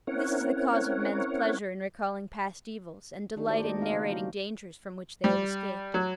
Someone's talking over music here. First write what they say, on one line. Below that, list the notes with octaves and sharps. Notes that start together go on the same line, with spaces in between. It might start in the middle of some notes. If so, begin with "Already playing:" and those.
This is the cause of men's pleasure in recalling past evils, and delight in narrating dangers from which they have escaped.
C4 C#4 E4 A#4 C#5 F#5
D#3 D4 D#4 G4 A#4
A3 F#4 G4 C5 D5
A3 A#3 G4 D5 D#5
A#3 C4 D#4 F5
C#3 C5 F5
F#3 E4 F#4
G3
F#3